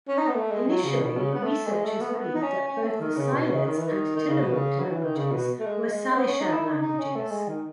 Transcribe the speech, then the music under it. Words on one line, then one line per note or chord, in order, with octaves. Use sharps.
Initially researchers believed that both the Siletz and Tillamook languages were Salishan languages.
C#4
D#4
B3
A3
G#3
F#3
C#3
B2
C#3
B3
A3
G#3
A3
B3
A3
B3
D#4
C#4
C#4
A3
D#3
C#3
B2
C#3
D#3
E3
D#3
D#3
C#3
B2
C#3
F#3
E3
D#3
C#3
B2
A3
G#3
G#3
C#4
B3
C#4
D#4
E4
D#4
D#4
C#4
A3
G#3
D#3